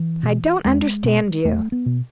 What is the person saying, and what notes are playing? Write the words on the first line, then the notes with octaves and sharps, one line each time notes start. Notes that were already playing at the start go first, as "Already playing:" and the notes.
"I don't understand you."
Already playing: E3
B2
E2 G#3
B2
E2 A3
B3
B2